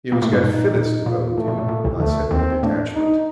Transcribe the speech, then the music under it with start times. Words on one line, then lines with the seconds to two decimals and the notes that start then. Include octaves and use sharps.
"You must get Phyllis to bowl to you," I said with detachment.
0.12 A#2 A#3 F4
0.22 A2 A3
0.33 G2 G3
0.43 A#2 D#4
0.75 A#2 D#4
1.06 A#2 F4
1.38 A2 A3
1.48 A#2
1.58 A2
1.68 A#2
1.84 C2 C3
2.00 D2 D3 A3
2.31 D#2 D#3 C4
2.63 A2 A3 D4
2.95 D#4